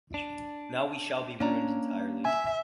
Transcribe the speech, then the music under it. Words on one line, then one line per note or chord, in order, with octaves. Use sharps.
Now we shall be ruined entirely.
D4
A#3 C#4 D4 A#5
E5 G#5